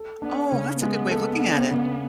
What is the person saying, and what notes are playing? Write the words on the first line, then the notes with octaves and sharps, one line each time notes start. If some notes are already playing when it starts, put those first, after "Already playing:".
Oh, that's a good way of looking at it.
Already playing: A4
B3 D4
C#3 C#4
G#3 B3
A4
D4
C#3